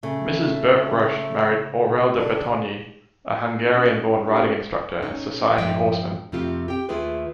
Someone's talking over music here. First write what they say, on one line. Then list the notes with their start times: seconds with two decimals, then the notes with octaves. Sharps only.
Mrs. Burke Roche married Aurel de Batonyi, a Hungarian-born riding instructor and society horseman.
0.03 C#3 A3
2.19 D4
3.64 C#4
4.24 C#4 D#4 G4
4.37 A#3 F#4 A4 A#4 C5
5.02 C#4 D#4
5.58 G2 F3 G#3 E5 F5 G5
6.32 F2 C3 A3 C4 F4 G4
6.68 G4 G5
6.89 D#2 A3 E4 F4 G#4 B4